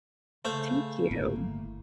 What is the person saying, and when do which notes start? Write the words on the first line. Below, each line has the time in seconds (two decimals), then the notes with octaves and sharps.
Thank you.
0.45 C#3 A3 C5 F5
1.11 G1 A2 A#3